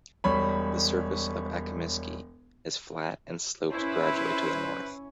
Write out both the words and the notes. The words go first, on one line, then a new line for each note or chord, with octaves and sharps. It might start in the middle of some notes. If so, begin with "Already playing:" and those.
The surface of Akimiski is flat and slopes gradually to the north.
E1 G3 C#5 B5
C#4 E4 B4 C5